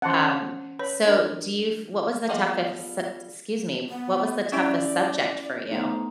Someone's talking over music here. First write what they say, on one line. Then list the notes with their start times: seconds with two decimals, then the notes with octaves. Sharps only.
um, so do you f what was the toughest excuse me, what was the toughest subject for you?
0.02 E3 C#4 F#5 A5 C6
0.79 B4 C#5 B5
1.06 D4 A#4
2.29 F3 G3 B3 G#4 D#5
3.89 B3
4.52 C#4 E4 G4 D5
5.71 A3 B3 D#4 C5